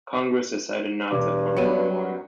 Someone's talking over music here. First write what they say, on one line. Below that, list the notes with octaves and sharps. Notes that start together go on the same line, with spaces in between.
Congress decided not to fund the memorial.
E1 G2 D6
F#3 G3 B3 C#7 D#7